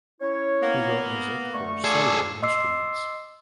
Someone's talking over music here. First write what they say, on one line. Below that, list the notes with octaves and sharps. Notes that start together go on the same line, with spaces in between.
He wrote music for solo instruments.
C#4 E4 C#5
A#3 B3
D3 A3 C#6
F4 G#4 A4 D5
D#5 C6 D6 E6 C7